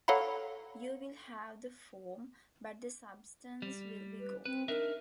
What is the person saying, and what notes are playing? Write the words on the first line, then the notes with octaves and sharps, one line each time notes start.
You will have the form, but the substance will be gone.
A4 C#5 F5 F#5 A#5 B5
G3
B4
C4 B4
D4 D#4 A#4 E5